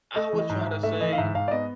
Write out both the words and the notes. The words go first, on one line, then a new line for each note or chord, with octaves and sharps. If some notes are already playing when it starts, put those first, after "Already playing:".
I would try to say
A3 D#5
E3
D#5
G#2
E5
G#2
A3 E5
E3 D#5
F5
G#2 E5
G#2 F5
D5
B3 D#5